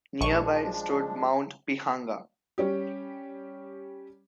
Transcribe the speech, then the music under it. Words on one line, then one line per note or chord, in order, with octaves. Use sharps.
Nearby stood Mount Pihanga.
A#1 F3 G#3 D4 C#6
G3 C#4 G4